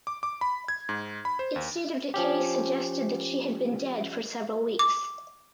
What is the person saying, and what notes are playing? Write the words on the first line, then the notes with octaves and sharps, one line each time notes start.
Its state of decay suggested that she had been dead for several weeks.
D6
D6
B5
G#6
G#2
B5
C5
D#2
F3 C#4 G4
D6